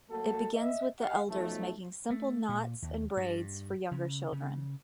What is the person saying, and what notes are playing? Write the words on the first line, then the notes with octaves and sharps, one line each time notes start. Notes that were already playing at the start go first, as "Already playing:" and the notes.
It begins with the elders making simple knots and braids for younger children.
F#3 A3 A#3 F#4 A4
D#5 E5
G4 D#5 F5 F#5
B1 F3 A3
A3
A#2
D#2
G2
C#3
C#3